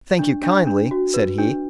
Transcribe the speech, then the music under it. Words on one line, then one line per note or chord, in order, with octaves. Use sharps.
'Thank you kindly', said he.
D4
D4
D4
F#4
B4
D4